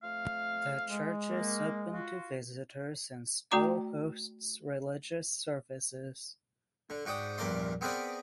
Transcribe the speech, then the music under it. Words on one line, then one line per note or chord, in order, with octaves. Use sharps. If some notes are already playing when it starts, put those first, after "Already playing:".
The church is open to visitors and still hosts religious services.
F2 A3 F5
G#3
A#3
F4 F#4
A3 F#4 D5 G5 A#5 D6
D3
G#2 F#4 D5 G5 D#6
A#1 E2 G2 A#4 D5 C6
B3 C4 G#4 A#4 B4 D5